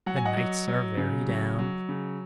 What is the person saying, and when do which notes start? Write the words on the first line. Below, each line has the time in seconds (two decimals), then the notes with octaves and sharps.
"The nights are very damp!"
0.06 F#3 F#5
0.16 G#5
0.25 D#5 F#5
0.37 F#3
0.68 F#3
0.97 C#3
1.28 F#3
1.59 F#3
1.89 C#3